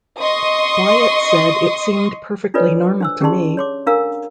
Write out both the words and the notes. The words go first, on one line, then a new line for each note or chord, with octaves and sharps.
Wyatt said It seemed perfectly normal to me.
D#5 C6 C#6 D#6
D4 F4 A4 B4 C#5 D5
D4 C5 E6
C#4 G4 G#4 D5 A5 C6
C#5 C6 D6
D4 A4 A#4 F5 A#5 E6